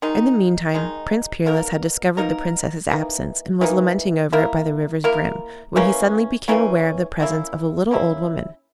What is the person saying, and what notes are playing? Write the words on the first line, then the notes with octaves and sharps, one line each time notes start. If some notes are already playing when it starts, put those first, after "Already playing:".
In the meantime Prince Peerless had discovered the Princess's absence, and was lamenting over it by the river's brim, when he suddenly became aware of the presence of a little old woman.
D#3 G#3 D#4
D#3 G#3 D#4
B2 A#3 D#4 A#4
B2 A#3 D#4 A#4
E3 A#3 D#4
E3 A#3 D#4
A#3 E4 A#4
A#3 E4 A#4
C#3 E3 A#3 C#4
C#3 E3 A#3 C#4
A#3 C#4 E4
A#3 C#4 E4